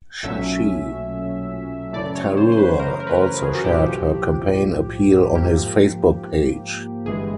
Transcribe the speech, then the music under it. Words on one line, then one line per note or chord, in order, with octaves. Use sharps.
Shashi Tharoor also shared her campaign appeal on his Facebook page.
B1 A#2 F#3 A3 C#4 E5
F#2 C#3 E3 A3 D5
C#5
C5
C5
B4
A#4
A#4
B4
A#4
G#4
F#4
B1 A2 F3 G4
G#2 F3 A#3 G4
G1 G2 E3 G#3 G#4